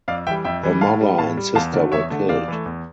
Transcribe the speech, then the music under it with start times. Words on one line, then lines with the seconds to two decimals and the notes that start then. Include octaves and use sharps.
Her mother and sister were killed.
0.08 F2 D5 F5
0.27 E3 G3 E5 G5
0.44 F2 E5 G5
0.63 E3 G3
0.81 A2 F5 A5
1.01 G3
1.18 A2 F5 A5
1.37 G3
1.55 E2 F5 A5
1.73 D3 A#4 D5
1.76 A3
1.92 E2 C#5 E5
2.10 D3 A3
2.29 E2 D5 F5
2.48 E3 A3
2.66 E2